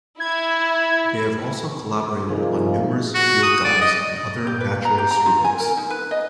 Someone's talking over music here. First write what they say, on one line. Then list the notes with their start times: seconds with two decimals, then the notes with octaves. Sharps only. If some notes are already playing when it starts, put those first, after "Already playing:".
They have also collaborated on numerous field guides and other natural history books.
0.20 E4 G#6
2.28 C3 D#3 F3 D#4 F4 G#4
3.15 F#4
3.43 D#6
3.65 D5
3.81 D#5
4.47 G4
4.60 B4
4.85 A#5
4.98 G4
5.11 A#5
5.26 F4
5.44 G#5
5.60 A#4
5.77 D#4
5.90 B4
6.11 D#5